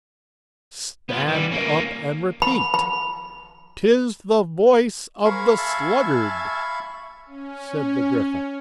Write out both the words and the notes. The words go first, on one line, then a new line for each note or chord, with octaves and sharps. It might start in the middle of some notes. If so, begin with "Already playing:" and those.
'Stand up and repeat "'TIS THE VOICE OF THE SLUGGARD,"' said the Gryphon.
B3 F4
E3 G3
A#3 C#4
B5
B5
G#4 A#4 C5 F5 B5 C#6
E5 G#5 A5
C#4